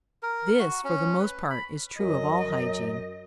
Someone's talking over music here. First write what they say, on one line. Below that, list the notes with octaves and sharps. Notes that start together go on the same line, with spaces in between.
This, for the most part, is true of all hygiene.
A#4
F#4
C#4
B4
B5
F#2 F#3 D#5